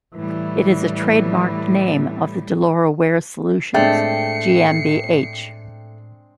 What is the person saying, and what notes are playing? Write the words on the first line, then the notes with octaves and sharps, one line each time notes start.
It is a trademarked name of the Deloro Wear Solutions GmbH.
A2 E3 G3
A2 G#3 A3 C4 D4 G5 C7 C#7